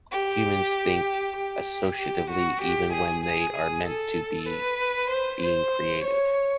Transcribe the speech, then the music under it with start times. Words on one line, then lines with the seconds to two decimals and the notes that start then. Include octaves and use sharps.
Humans think associatively, even when they are meant to be being creative.
0.12 G4
1.36 G4
1.98 G4
2.30 F#4
2.61 G4
2.92 G#4
3.24 G#4
3.55 G#4
3.86 A4
4.48 B4
5.10 C5
5.42 C5
6.04 C#5